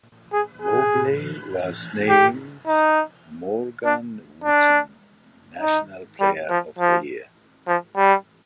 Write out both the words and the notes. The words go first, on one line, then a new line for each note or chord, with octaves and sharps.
Mobley was named Morgan Wootten National Player of the Year.
G#4
G#4
G4
D#4
D4
D4
D#4
G3
F3
F3
F3
G3